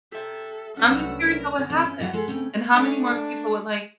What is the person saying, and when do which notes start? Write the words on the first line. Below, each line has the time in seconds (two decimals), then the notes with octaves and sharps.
I'm just curious what would happen, and how many more people would, like,
0.12 G4 A4 E5
0.77 C2 F#3 A3 C#4 D4 B4 F#5 E6
1.22 A#4
1.58 D3
1.70 D2 C3 E3 C4
1.85 C#4
1.99 D#2 E3 F#3 E4 B4 F#5
2.13 G#3 B3 A4
2.28 C#3 A3 C4 C#4
2.74 A3 D4 D5 G#5